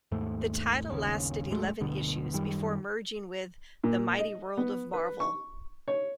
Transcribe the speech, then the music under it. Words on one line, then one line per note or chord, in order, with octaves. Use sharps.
The title lasted eleven issues before merging with "The Mighty World of Marvel".
D#2 G#2 A3
G1 D#2 C#3
A1 D#2 G#3 A3
D1 G1 B2 D3
F#2 D#3 G3
A#2
D#5
B3
B4
C#6
C#5